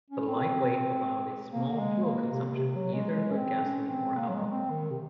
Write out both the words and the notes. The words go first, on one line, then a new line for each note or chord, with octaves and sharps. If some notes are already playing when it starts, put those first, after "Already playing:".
The light weight allowed a small fuel consumption either of gasoline or alcohol.
C#4
C4
A#3
G#3
A#3
C3
C3
F#3
G#3
G#3
C#4
C4
C#4
C4
A#3
F#3
G#3
C4
D#3
C3